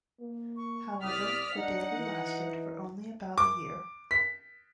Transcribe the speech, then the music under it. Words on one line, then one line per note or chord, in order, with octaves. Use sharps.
However, the daily lasted for only about a year.
A#3
C#6
C2 D5 D#6 F6 B6
D4 D#4 F#5
E3
D6
B6